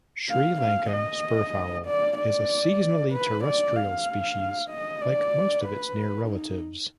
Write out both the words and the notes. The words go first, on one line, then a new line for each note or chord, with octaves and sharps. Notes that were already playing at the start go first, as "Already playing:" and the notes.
Sri Lanka spurfowl is a seasonally terrestrial species, like most of its near relatives.
F5
F5
D#5
D5
D5
B4
D5
F5
D#5
D5
B4
D#4